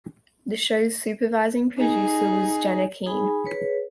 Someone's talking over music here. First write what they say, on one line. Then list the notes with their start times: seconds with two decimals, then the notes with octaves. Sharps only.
The show's supervising producer was Jenna Keane.
1.77 D#4 G#4
3.06 D#4 G#4 G#5 B5
3.45 G#4 B4 C#5